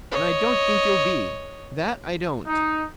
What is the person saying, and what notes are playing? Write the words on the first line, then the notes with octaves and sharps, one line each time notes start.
And I don't think you'll be. That I don't.
C#5 D#5
D#4